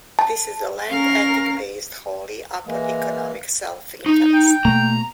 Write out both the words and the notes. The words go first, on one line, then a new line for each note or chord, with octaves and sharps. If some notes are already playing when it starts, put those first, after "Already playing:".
This is a land ethic based wholly upon economic self-interest.
A5
C#4 A#4 F5
E3 G#3 A#3
D#4
G5
B2 A3 A#3 A#5